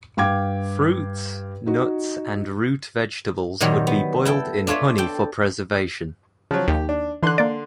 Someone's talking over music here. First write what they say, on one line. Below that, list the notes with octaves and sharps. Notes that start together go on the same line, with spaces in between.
Fruits, nuts and root vegetables would be boiled in honey for preservation.
G2 F5 G5 D6 G#6
D#4 F#4
A#2 D#3 F#3 G3
B3
E4 A4 G5
D4 F4 A4 C#5 E5
A4 G5
C#3 F3 F#3
D#2 G4
D4
D3 E3 C6 F#6
A#3 D5